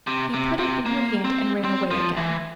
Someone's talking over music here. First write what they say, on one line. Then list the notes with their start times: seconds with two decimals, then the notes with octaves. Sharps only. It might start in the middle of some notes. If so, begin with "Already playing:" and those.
He put it in her hand, and ran away again.
0.07 C3
0.34 C3
0.59 C3
0.86 A#3
1.24 C4
1.65 C4
1.91 F3
2.17 E3